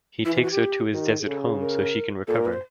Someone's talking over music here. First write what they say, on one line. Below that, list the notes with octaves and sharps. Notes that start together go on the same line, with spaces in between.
He takes her to his desert home so she can recover.
E3 E4
F4
F#4
G4
D#3 F#4
G4
G#4
C#3 A4
G#4
A#4
A#2 A4
A#4
B4
C5